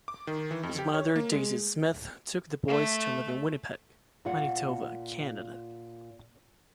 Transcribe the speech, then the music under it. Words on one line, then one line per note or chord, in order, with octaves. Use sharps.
His mother Daisy Smith took the boys to live in Winnipeg, Manitoba, Canada.
D6
D#3
E3
F2
G4
C#5
A#3
G#3
A3
A#2 F4 F#5